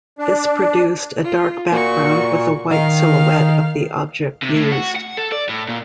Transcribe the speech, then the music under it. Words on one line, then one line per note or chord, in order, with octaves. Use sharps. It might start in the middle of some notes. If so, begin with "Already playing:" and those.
This produced a dark background with a white silhouette of the object used.
D4
F4
A#2 F#4 C#6
D#3 F5 F6
C3
A2
F#4
F#5
A4
D5
A2
A#2